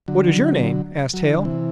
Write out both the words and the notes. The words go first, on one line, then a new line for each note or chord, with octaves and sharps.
"What is your name?" asked Hale.
D3 F#3
F#3
E3
D3
C3 E3